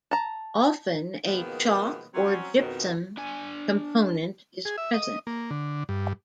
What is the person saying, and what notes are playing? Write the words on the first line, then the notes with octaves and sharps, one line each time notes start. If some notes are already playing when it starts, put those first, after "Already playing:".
Often a chalk or gypsum component is present.
A5 A#5
B2 D#3 F3 G#3 A#3 B3
F#3 C4 C#4
F2 B2 D#3
D4 G#5
G#4
E5
D#5
A#3
D3
G2